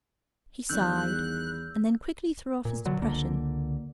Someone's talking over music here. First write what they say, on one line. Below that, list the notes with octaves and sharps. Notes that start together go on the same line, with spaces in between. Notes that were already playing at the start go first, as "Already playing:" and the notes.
He sighed, and then quickly threw off his depression.
E2 D#3 G3 E6 F#6 G6
A#2
B2 D3 F#3
C#2 D3 A#3